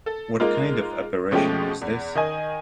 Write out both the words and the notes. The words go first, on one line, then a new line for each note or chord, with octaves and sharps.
What kind of apparition is this?
A4
G#3 A#3 D#4 F4
B2 F3 G#3 A3 C#4 G4
E2
D#3 D#5 G#5